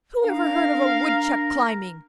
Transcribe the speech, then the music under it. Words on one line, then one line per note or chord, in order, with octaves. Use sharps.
"Who ever heard of a Woodchuck climbing?"
D4 A#4 F5